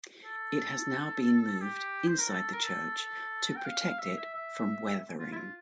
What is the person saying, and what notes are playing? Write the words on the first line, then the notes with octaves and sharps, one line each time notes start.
It has now been moved inside the church to protect it from weathering.
A4
G4
C5
A#4
A4
A#4
A4
A4
G5
F5
F5
E5
E5
E5
F4
E4
F4